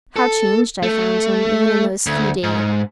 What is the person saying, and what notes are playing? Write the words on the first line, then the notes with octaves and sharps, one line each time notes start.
How changed I found him, even in those few days!
A4
A3
D2
G#2